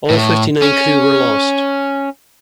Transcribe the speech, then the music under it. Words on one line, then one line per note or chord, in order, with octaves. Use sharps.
All fifty-nine crew were lost.
A2
C#4